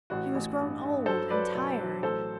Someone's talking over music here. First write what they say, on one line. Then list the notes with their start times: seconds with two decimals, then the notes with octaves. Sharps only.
He was grown old and tired.
0.10 A1 F#4
0.35 A1
0.59 G2
0.83 G2
1.06 F#3 A4 C5
1.30 F#3 B4 D5
1.55 B1
1.79 F#3
2.02 A1 A4 C5